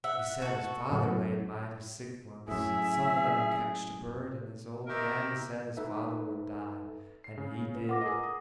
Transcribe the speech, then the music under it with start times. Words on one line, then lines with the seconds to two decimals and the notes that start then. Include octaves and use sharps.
He said his father laid mighty sick once, and some of them catched a bird, and his old granny said his father would die, and he did.
0.04 E5 F#5
0.42 F#4 A4
0.91 F#2 A2 F#3
2.48 F#2 A2 G#4 E5
4.87 D#3 D#4 G4 A#4 E5 A#5
5.77 D#4 A4 B4 E5
7.24 C7
7.38 C#3
7.75 B4
7.89 F4 F#5 D6 A#6
8.01 G#4 A#4 D#5
8.23 D#6